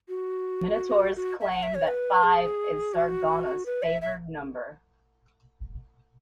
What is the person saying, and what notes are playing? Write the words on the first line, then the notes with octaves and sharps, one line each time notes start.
Minotaurs claim that five is Sargonnas's favored number.
F#4
F#4
E5
F#5
E5
C#5
B4
G#4
F#4
B4
E5
E5